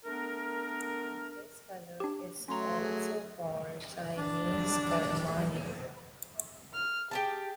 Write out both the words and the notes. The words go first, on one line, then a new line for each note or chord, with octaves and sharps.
This color is also called Chinese carmine.
A3 B3 D4 A#4
D4 G4
F#3 A3 C#4 A#5 C6
G#4
D4
F6
G4 G#4 G5 A5